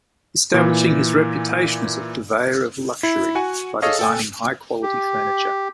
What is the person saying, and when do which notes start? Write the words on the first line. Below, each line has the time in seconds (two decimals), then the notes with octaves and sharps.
Establishing his reputation as a purveyor of luxury by designing high-quality furniture.
0.54 A#2 E3
3.03 E4
3.35 F#4 F#5 G#5
3.82 G#4 A4 C#5 D#5 F5
3.99 A4 G5 G#5
4.83 G4